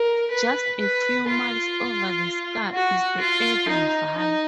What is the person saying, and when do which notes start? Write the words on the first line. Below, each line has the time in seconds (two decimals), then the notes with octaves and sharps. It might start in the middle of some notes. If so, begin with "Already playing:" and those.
Just a few miles over the scar is the Eden valley.
Already playing: A#4
0.31 B4
0.79 B4
1.28 F4
2.73 F#4
3.20 F4
3.68 D#4
4.17 D#4